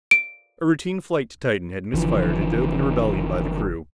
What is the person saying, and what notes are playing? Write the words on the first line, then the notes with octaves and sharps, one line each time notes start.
A routine flight to Titan had misfired into open rebellion by the crew.
D7
F#1 D3 E3 F3